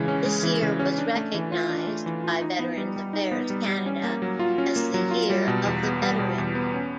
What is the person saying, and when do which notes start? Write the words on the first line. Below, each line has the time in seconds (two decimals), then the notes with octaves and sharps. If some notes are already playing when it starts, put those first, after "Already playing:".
This year was recognized, by Veterans Affairs Canada, as the Year of the Veteran.
Already playing: C#3 E3 G#3
0.08 C#4
0.25 G#3
0.43 E3
0.62 C#3
0.79 C#4
0.98 D4
1.16 A3
1.34 E3
1.52 F4
1.69 D4
1.87 A3
2.06 E3
2.24 F4
2.41 D#4
2.59 B3
2.77 G3
2.96 G3
3.13 D#4
3.31 B3
3.50 G3
3.68 G3
3.86 C#4
4.04 A#3
4.22 F#3
4.39 F4
4.58 C#4
4.76 A#3
4.94 F#3
5.11 F4
5.30 G3
5.48 B2
5.65 E2
5.83 B3
6.02 G3
6.19 B2
6.38 E2
6.55 B3
6.74 C#4